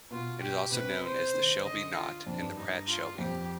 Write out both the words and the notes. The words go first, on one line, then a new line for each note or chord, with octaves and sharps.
It is also known as the Shelby knot and the Pratt-Shelby.
B2 F4
G4
C3 B4
C5
D#3
D3 D#5
F4
F2 D4
G2
G2 D#4
F4
F2 G4